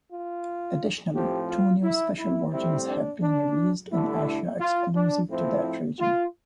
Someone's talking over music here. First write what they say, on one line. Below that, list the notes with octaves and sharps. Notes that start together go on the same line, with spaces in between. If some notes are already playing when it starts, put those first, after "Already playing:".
Additionally, two new special versions have been released in Asia exclusive to that region.
F4
A2 F3 C4 G4
F4
E4
E4
A2 G3 C4 E4
D4
D4
G2 D3 A3 E4
F4
D4
A2 F3 C4 E4
F4